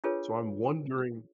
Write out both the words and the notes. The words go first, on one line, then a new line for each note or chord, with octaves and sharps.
So, I'm wondering
D4 F4 G#4 A4 B4 C#5